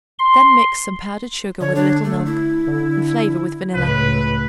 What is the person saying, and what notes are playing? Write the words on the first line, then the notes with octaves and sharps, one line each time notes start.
Then mix some powdered sugar with a little milk and flavor with vanilla.
C6
D3 C#5
D4
A3
E4
D3
C#2 A2 B4